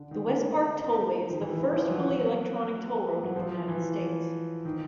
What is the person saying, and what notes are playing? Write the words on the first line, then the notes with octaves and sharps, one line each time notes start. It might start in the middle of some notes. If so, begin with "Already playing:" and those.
The Westpark Tollway is the first fully electronic toll road in the United States.
Already playing: D3
D#3
D#3
E3
E3
F3
F#3
F#3
F3
E3
D#3